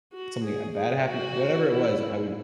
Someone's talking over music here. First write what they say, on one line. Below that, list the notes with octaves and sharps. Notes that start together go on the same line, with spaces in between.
something, uh, bad happened. Whatever it was, I would
F#4
G#4
G#4
F#4
E4